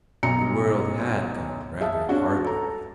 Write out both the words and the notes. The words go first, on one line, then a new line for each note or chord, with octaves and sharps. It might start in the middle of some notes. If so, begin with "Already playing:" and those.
The world had gone rather hardly with her.
B1 F#2 A#5 C#7
G#4 E5 F5 A5
C#4 D4 F#4
A4 A#5